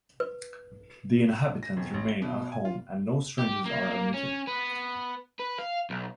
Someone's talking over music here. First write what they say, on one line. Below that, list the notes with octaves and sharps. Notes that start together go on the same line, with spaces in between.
The inhabitants remain at home and no strangers are admitted.
B4
A#6
E1
A1
G7
B2
G#5
F4
G4
A#3
C#4
B3
B4
F5
B1